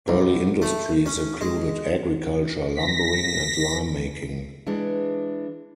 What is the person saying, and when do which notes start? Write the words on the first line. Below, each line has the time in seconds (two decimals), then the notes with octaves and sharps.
Early industries included agriculture, lumbering, and lime making.
0.08 B1
0.62 A3
1.06 C#4
1.41 G#3
2.75 A#6 B6
4.66 E3 G#3 D4